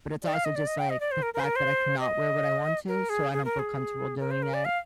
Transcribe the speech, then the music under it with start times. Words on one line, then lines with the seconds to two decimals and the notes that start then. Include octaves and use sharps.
but it's also, just, like, the fact that I cannot wear what I want to so I don't feel comfortable doing it,
0.23 D5
0.33 F5
0.45 D#5
0.56 D5
0.67 D#5
0.78 G5
0.90 D#5
1.00 D5
1.11 C5
1.22 A#4
1.34 A#4
1.40 C5
1.44 A#4
1.56 C5
2.00 D#5
2.88 A#4
3.09 G#4
3.33 G#4
3.45 A#4
3.59 G#4
4.20 A#4
4.31 C5
4.43 A#4
4.54 D5
4.65 F5